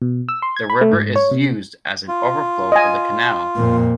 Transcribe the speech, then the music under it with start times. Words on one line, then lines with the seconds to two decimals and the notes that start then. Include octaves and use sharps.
The river is used as an overflow for the canal.
0.02 B2
0.29 E6
0.42 C6
0.56 G#6
0.70 B5
0.81 A3
0.93 G#2
1.16 C#5
1.31 C3
2.08 F4
2.72 D#5 G#5
3.56 F2 A#2